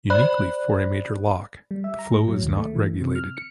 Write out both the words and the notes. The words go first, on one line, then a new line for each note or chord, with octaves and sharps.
Uniquely for a major loch, the flow is not regulated.
C5 D5 B5 F#6
G3
E5
A#5
A2
F#3
D#2
A3
E3
C3
F6
C#7